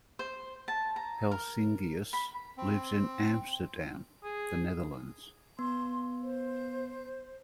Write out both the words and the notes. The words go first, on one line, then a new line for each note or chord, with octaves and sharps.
Helsingius lives in Amsterdam, the Netherlands.
C5
A5
A#5
A#4
B5
C4
G#4
B3 C6
C5